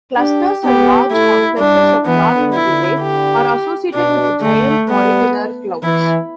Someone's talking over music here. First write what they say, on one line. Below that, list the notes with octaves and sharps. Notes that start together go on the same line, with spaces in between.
Clusters and large complexes of dark nebulae are associated with Giant Molecular Clouds.
D4 G4
B3 G4
A3 E4
G3 D4
E3 B3
D3
E4
D3
G4
B2 D4
D3 A3
G3 B3
E3 E4